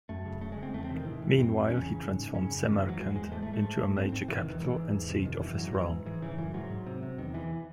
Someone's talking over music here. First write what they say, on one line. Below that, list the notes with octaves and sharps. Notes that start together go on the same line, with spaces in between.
Meanwhile, he transformed Samarkand into a major capital and seat of his realm.
F#2 A3
C#3
C#3 A3
G#3
C#3
C4
E2 A3
C4
C3
D#3
G#2 E3
G#2
F#2 C4
F#2
E2 C#4
C#3
G#2
G#2
C#3 C#4
F#2
G#2 D#3
E3
G#2
F#3
E2 G#3
E2 G#3
G#2 A3
A3
G#2
A3
G#2
G#2
G#2 C4
G#2 C4
C3 E3
D#3
E2
E3
G#2 E3
G#2
E2
C3
F#2 D#3
F#2 E3
G#2 F#3
G#2 E3
G#2
G#2 E3
C#3 E3
F#2 E3
G#2 F#3
G#2
C3
C3
E2 D#3
E2 E3